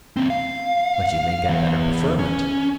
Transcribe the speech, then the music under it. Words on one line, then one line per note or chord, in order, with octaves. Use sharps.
"But you may get better preferment."
D#2 C4
F5
E3 B3
C#4